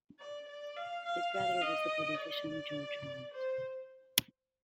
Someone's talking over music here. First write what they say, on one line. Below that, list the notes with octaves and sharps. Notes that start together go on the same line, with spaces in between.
His brother was the politician George Hart.
D5
D5
F5
F5
F5
D#5
D5
C5